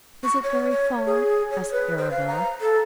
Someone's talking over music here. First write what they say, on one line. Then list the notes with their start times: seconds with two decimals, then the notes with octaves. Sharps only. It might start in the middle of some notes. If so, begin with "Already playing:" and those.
"Is it very far?" asked Arabella.
0.24 C#6
0.44 C#5
0.70 C#5
1.06 G#4
1.51 C#5
1.72 B4
1.98 C5
2.11 F5
2.27 A#5
2.61 A4